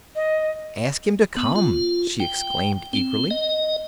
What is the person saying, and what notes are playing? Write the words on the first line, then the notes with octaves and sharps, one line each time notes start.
"Ask him to come," she exclaimed, eagerly.
D#5
B3
F4
G5
C4
D#5